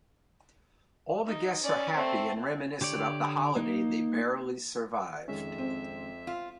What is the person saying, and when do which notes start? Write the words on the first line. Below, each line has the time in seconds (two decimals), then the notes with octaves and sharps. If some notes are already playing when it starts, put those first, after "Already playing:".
All the guests are happy and reminisce about the holiday they barely survived.
1.27 D#4
1.63 C#4 D5
1.95 A3 C4
2.81 D3 G4 C#5 D5
3.56 A#3 D#4
5.28 F2 D#3 G#3 C#4 E5
5.58 C4
6.27 F4